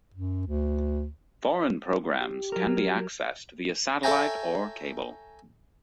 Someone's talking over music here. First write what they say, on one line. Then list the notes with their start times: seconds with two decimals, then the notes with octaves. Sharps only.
Foreign programs can be accessed via satellite or cable.
0.14 F#2
0.47 D2
2.22 G4
2.52 F#3 A#4
4.03 A4 C#5 E5 G5 G#5 A#5